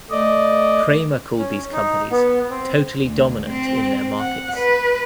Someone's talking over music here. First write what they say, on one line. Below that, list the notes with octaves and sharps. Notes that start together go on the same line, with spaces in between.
Cramer called these companies "totally dominant in their markets".
A3 D5 D#5
C#4
D#4
B3
C4
D2
C4
F#5
B4